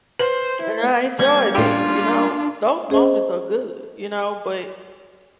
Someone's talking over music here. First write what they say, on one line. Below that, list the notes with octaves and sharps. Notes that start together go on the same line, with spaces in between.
And I enjoyed it, you know? Those moments are good, you know? But,
B4 C5
E4
G3 A#3 C#4 G#6
A2 D4 F4 G4
C#4 G#4 C5 D#5